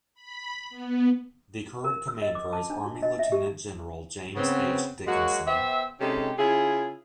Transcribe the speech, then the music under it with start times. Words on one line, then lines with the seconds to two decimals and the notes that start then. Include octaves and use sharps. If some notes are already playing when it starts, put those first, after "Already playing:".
The current commander is Army Lieutenant General James H. Dickinson.
0.14 B5
0.70 B3
1.84 A#4
2.08 E6
2.22 D#5
2.35 D6
2.53 A5
2.70 D4
2.86 F4
3.02 D#5
3.19 E5
3.32 G4
4.35 C#3 B3 C4
5.07 F#3 G#3 A#3 F#4
5.47 B3 G4 C5 E5
6.01 C3 G#3 C#4 D#4 G4 A4
6.38 C#3 E4 F4 G#4